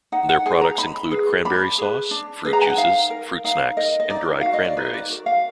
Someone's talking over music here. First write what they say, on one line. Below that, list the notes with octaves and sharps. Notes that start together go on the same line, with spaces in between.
Their products include cranberry sauce, fruit juices, fruit snacks, and dried cranberries.
D#4 F#5
F#5
G#4 B4 G#5
A#5
D#4 B5
G#4 B4
D4 B5
G#4 B4
D4
G#4 B4
A#5
G#5
F#5
D#4 F5
A#4
D#4 F5
A#4 D#5
D#5
D#4 D5
F#4 A#4 F5
D#5
D5
D#4 B4
D5
F#4 A#4
F5